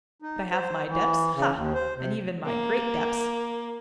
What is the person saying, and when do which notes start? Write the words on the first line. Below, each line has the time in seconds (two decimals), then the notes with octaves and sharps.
But I have my depths; ha, and even my great depths!
0.22 D#4
0.52 C5
0.88 E3
1.35 C#3
1.54 D#2
1.74 C5
1.97 C3
2.46 A#3